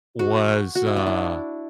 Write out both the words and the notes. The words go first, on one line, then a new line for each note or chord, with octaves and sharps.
was, uh,
F#4
F#4
E4
D4
E4